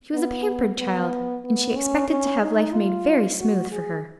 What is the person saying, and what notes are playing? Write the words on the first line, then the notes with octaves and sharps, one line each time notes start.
She was a pampered child, and she expected to have life made very smooth for her.
B3
B3
B3
C#4
C#4
D#4
F4
F#4
G#4